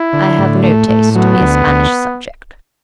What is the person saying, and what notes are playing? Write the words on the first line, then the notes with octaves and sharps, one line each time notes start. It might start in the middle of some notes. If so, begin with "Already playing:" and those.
"I have no taste to be a Spanish subject."
Already playing: E4
D3
A2
A3
A2
F#3 B3
D2
D2